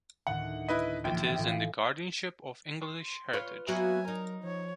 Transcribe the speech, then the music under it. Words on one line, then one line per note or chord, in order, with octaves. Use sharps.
It is in the guardianship of English Heritage.
D2 A2 D#3 F#5
E4 B4 D#5
A#1 E3 G4 G5
A2 F3 G#4
C6
F4 B4 C#5
F#3 A#3 B3 F#4 E5 G#5
D#4 A#4
F3 C#5